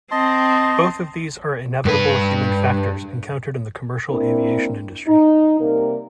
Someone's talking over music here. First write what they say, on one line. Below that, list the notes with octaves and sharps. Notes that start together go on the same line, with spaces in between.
Both of these are inevitable human factors encountered in the commercial aviation industry.
C4 D#5 A5 C6
G2 B4
A#3 C4 D4 E4 A#4
D#4
C3 G3 A#3 A#4